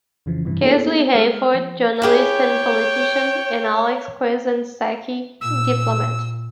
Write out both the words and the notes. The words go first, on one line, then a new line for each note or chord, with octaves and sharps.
Casely Hayford, journalist and politician; and Alex Quaison-Sackey, diplomat.
F2 C#3 E3 F3
G2 C3 E3
A#3 B3 D4 E4 G#4 A4
G#3 A#4 F6
F3
E4 G4 G#4 B4 C#5 G5
A#2 E6